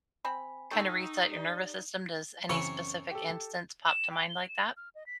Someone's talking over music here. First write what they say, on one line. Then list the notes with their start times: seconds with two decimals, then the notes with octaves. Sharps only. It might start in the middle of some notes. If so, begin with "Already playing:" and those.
kind of reset your nervous system? Does any specific instance pop to mind like that?
0.25 C4 G#5 B5
0.71 D#4 A4 G5 C#6 E6
1.31 G4 D5 G7
2.49 F#2 C#3 E3 C4 A#4 C#5 C#6
3.11 G4 A4
3.88 E7
4.11 G5
4.29 G7
4.49 E7
4.63 G6
4.77 F6
4.95 D#5
5.06 B6